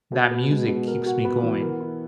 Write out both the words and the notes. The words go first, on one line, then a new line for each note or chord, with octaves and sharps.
that music keeps me going.
B2
B3
G#3
B2
A#4
F#4
B3
E3
A#4
E4